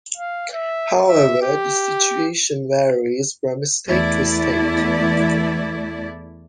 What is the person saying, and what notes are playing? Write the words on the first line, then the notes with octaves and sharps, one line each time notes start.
However, this situation varies from state-to-state.
F5
E5
E5
G4
E2 A3 E4 D5